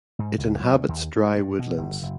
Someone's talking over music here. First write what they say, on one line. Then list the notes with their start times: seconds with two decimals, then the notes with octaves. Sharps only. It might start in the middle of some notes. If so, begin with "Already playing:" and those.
It inhabits dry woodlands.
0.19 G#2
0.38 C#2
0.60 F#3
0.72 D2
0.89 D#2
1.16 G#3
1.37 G2
1.59 B2
1.77 G1
2.03 F#1